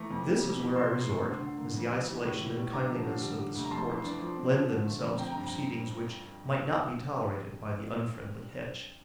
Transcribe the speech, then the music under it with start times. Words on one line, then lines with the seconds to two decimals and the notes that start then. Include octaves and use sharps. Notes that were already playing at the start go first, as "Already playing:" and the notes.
This is where I resort, as the isolation and kindliness of the supports lend themselves to proceedings which might not be tolerated by the unfriendly hedge.
Already playing: E3 A3 A#5 D6
0.10 F2
0.26 G3
0.43 F2
0.59 E3
0.75 C3 C6 E6
0.92 C3
1.09 A3
1.25 D3
1.41 D3
1.58 A#3
1.74 F2
1.90 G3
2.07 E3
2.23 A2
2.40 E3
2.56 G3
2.73 D3 A#5 D6
2.89 F3
3.05 D3
3.22 G3
3.39 G3
3.55 D2
3.65 A#5
3.71 F2 A5 C6
3.87 E3
4.04 D4
4.21 F3
4.37 C4
4.54 F3
4.70 D3
4.85 A3
5.02 F2
5.18 C4 G5 A#5
5.31 G5 A#5
5.35 G2
5.44 G5 A#5